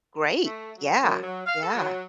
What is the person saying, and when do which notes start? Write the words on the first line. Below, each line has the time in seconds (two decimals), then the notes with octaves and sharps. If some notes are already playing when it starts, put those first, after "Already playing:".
Great. Yeah. Yeah.
0.45 A3
0.77 F#3
1.03 F#2
1.23 F#3
1.46 F5
1.62 A4
1.75 F#3